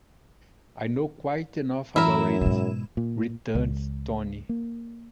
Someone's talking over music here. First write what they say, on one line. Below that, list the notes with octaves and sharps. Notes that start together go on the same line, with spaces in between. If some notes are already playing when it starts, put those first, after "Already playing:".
"I know quite enough about it," returns Tony.
F#2 E3 E4 A#4 E7
G#2 B2
A#2
C#2
A#3